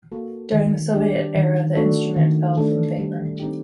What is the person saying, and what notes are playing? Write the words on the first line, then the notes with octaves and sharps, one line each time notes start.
During the Soviet era the instrument fell from favour.
A#3 F#4 A4
D#3
G3 D4 G4
D#3
A3 D4 F#4 A4
D#3
A3 D4 A4
G3
C4 D#4 G4